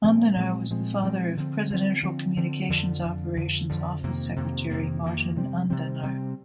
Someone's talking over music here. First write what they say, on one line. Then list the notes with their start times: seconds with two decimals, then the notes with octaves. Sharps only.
Andanar was the father of Presidential Communications Operations Office Secretary Martin Andanar.
0.03 A#2 F3 G#3 C4
0.36 A#2 F3 G#3 C4
0.70 A#2 F3 G#3 C4
1.03 A#2 F3 G#3 C4
1.37 D3 F3 C4
1.70 D3 F3 C4
2.03 D3 F3 C4
2.37 D3 F3 C4
2.69 F2 D3 F3
3.03 F2 D3 F3
3.37 F2 D3 F3
3.69 F2 D3 F3
4.03 F2 C3 D#3 A#3
4.36 F2 C3 D#3 A#3
4.70 F2 C3 D#3 A#3
5.04 F2 C3 D#3 A#3
5.36 C3 G3 C4
5.70 C3 G3 C4
6.03 C3 G3 C4